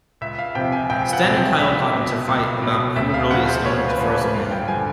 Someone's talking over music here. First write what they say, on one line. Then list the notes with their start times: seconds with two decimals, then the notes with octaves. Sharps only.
Stan and Kyle get into a fight about who really discovered the frozen man.
0.21 C#2 E5
0.39 F5
0.55 C3 F3 G5
0.72 G#5
0.90 C#2 G5
1.13 F#5
1.24 C3 F3
1.36 G5
1.59 C#2 E5
1.94 B2
2.27 C#2
2.62 B2
2.96 D2 E5
3.14 F5
3.31 C#3 F3 F#5
3.48 C5
3.65 D2 C#5
3.88 B4
4.00 C#3 F3
4.11 B4
4.34 G2 F5
4.51 G5
4.68 D3 F3 G#5